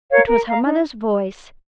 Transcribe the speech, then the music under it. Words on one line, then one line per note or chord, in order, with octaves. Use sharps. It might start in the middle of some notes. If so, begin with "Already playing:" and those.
It was her mother's voice.
A#4 C#5 F5
A#4
F5 A#5
D#4